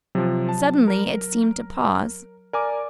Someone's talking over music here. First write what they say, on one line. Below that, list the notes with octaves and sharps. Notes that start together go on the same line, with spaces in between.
Suddenly it seemed to pause.
C3 F3 F#3
A5
A#4
A#4 D5 G#5 D6